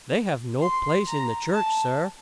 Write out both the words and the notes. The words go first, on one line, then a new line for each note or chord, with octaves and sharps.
They have no place in the church, sir!
C6
A#5
A5